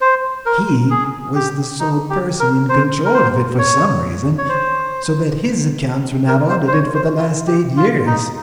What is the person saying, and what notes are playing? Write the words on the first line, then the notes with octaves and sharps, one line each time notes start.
He was the sole person in control of it for some reason, so that his accounts were not audited for the last eight years.
C5
A#4
G#4
G4
D#4
G4
A#4
C5
A#4
C5
C#5
C#5
C5
A#4
C5
C5
C#5
C5
F4
G4
F4
D#4